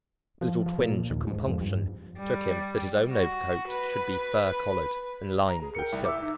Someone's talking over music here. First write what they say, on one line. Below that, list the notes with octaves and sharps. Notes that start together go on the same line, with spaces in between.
A little twinge of compunction took him that his own overcoat should be fur-collared and lined with silk.
F3
F3
A#2
D#2
G#2
F2
G2
G3
F#4
B4
A#5
G#4
A#4 G5 C#7
C2
E5 D6 E6
D#4